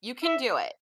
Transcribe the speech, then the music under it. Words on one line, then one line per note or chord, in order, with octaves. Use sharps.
You can do it.
E5